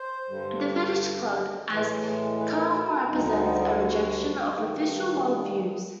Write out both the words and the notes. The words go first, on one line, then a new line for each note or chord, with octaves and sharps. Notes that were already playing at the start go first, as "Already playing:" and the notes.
The fetish club as carnival represents a rejection of "official" world views.
Already playing: C5
G2 D3 G3
A2 E3 G#3
B4
A#4
F#4
F4
D2 D3 G3 D#4
D#4
D#4
E4
F#4
G2 D#3 G3